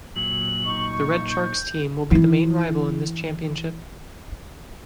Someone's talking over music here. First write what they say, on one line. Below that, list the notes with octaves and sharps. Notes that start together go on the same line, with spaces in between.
The Red Sharks team will be the main rival in this championship.
A#2 F#3 F#7
D#4 C#6
G6
E3 E4